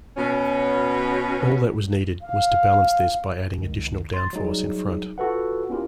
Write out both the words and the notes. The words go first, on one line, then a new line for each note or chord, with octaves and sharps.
All that was needed was to balance this by adding additional downforce in front.
B2 C#4
F5
C#2 D#3
C6 A6
F#3 G3 D#4 G#4
F4 F#4 A4 B4 F#5
B3 C#4 E4 F4 G4 A#4